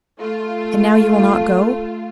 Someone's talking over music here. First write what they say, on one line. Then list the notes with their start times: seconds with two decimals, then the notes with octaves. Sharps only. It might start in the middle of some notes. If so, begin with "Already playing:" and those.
"And now you will not go?"
0.18 A3 F4